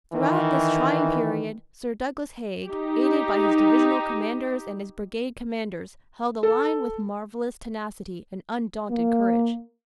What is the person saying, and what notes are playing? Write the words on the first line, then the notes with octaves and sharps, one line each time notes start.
"Throughout this trying period, Sir Douglas Haig, aided by his divisional commanders and his brigade commanders, held the line with marvelous tenacity and undaunted courage."
D#3 E3
D#4 G4
A4
A#3